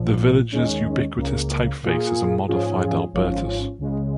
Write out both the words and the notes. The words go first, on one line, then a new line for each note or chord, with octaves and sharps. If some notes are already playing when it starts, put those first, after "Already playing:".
The Village's ubiquitous typeface is a modified Albertus.
Already playing: A#1 A#2 F3
D#2 D#3 G#3 C#4
C#2 C#3 A#3
A#2 A#3 F4 G#4
G#2 F3 C#4 F4 G#4
G#1 G#2 F3 C#4 F4
C#2 C#3 G#3